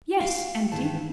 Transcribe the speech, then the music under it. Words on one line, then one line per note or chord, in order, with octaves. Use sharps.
'Yes, empty.
F5
G2 D#3 E3 G#4 A5